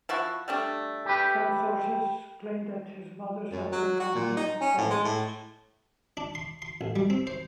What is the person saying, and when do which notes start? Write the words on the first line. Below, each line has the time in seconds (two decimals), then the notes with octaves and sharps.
Some sources claim that his mother suffered from hemoptysis.
0.09 F3 E4 F#4
0.48 G3 A3 D4
1.05 G4 B4
3.52 F#2
3.72 F#3
4.00 F#4
4.15 A#2
4.37 D#4
4.60 C#4
4.78 A2
4.90 G#3
5.04 A2
6.17 D4
6.35 C6
6.62 C6
6.81 A1
6.96 G3
7.10 C4
7.27 C5